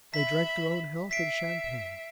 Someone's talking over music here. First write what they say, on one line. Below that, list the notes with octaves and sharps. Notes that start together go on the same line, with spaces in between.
They drank their own health in champagne.
E5 B5 B6
E5 B6 C7 D7